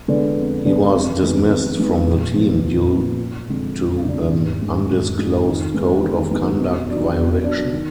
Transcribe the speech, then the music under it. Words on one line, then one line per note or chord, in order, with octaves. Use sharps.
He was dismissed from the team due to an undisclosed code of conduct violation.
D3 G#3 B3 D4
F2
D3 G#3 B3 D4
F2
D#3 G#3 B3
F2
D#3 G#3 B3
A#1
A#2 F3 B3
A#1
A#2 F3 B3
F#1
F2 D3 G#3 D4
F#1
F2 D3 G#3 D4
G#2
D#3 G#3 D4
G#2
D#3 G#3 D4
D#3
G#3 B3 D#4
D#3
G#3 B3 D#4
B2
F#3 D4
B2
F#3 D4
D#3